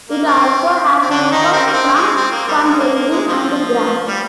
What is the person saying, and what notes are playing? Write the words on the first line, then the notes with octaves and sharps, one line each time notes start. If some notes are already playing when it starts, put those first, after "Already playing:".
It also has income from fundraising and grants.
A#3
C4
C4
D3 D4
D#3 D#4
C4
A#3
C4
G#3
C4
A#3
G3
G#3
A#3
A#3
G#3
F3
G3